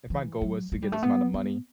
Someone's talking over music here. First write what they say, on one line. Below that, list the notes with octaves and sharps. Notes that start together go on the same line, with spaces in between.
if my goal was to get this amount of money,
E3
F#3
A3
G3
A3
B3
B3